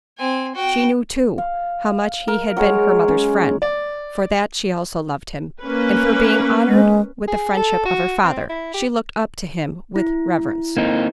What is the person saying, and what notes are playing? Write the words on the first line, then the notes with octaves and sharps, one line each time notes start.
She knew, too, how much he had been her mother's friend; for that, she also loved him; and for being honoured with the friendship of her father, she looked up to him with reverence.
C4 G#5
F#4 G5
F5
A#4
F#3 G#3 C#5
C#4
D5
A#3 C#4 B4
G#3
G#4
A4
F#4
C4
E4
G4
E4
A#3 C4 D#4